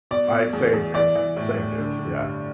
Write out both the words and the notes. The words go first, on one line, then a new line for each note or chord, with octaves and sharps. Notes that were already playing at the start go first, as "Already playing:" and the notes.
I same, dude. Same, dude, yeah.
B2 D5
B2
E2
E2
E3 D5
E3
A2
A2
D3
D3
G2